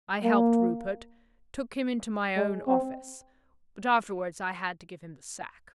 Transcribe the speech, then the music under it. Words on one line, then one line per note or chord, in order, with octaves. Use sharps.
I helped Rupert, took him into my own office; but afterwards I had to give him the sack.
A#3
G#3
C4